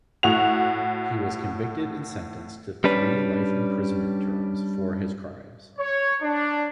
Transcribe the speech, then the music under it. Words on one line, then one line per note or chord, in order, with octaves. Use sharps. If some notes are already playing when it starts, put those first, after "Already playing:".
He was convicted and sentenced to three life imprisonment terms for his crimes.
A2 F#4 F7
G3 C#4 D4 B4
C#5
D4